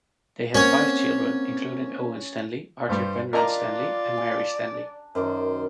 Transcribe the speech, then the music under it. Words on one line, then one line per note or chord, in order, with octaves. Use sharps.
They had five children, including Owen Stanley, Arthur Penrhyn Stanley and Mary Stanley.
A#3 C4 C#4 C#5 F#5
G2 G3 C5
D4 F4 G4 A#4 D5 D#5 A#5
G#5
F#2 D#3 C5 D5